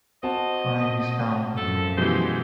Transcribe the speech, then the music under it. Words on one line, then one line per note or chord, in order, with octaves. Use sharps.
Crime is down.
C4 F#4 D#5 A5
F#2 F3 A4
B2 E3 G#3 G4 C5